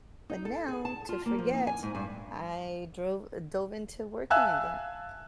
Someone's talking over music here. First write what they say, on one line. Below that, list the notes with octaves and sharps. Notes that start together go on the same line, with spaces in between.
but now to forget, I drove dove into working again.
D#4
A4
G#4
A5
F4
A#3
F3
D#4
G#5
G#2
G2
E5 F5 G#5 A5 E6 F#6